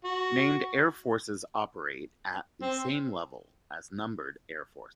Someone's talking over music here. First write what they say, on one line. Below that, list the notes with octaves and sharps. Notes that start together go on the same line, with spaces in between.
Named Air Forces operate at the same level as Numbered Air Forces.
F#4
C4